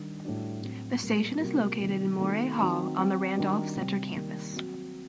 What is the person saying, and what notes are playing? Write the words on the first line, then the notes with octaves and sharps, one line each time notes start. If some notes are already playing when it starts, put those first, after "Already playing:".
The station is located in Morey Hall on the Randolph Center campus.
Already playing: D#3 G3 D4
A2 G3 D4 F#4
A2 F#3 C4 F#4
A#2 G3 A#3
C3 G3 A#3 F#4
C3 D#3 G3
D#3 A3 C4 D#4 F#4
D#3 F#3 C4 D#4
F#3 C4 F#4
D#3 G3 D4 F#4
C3 G3 C4
D#3 G3 A#3
F#3 C4 F#4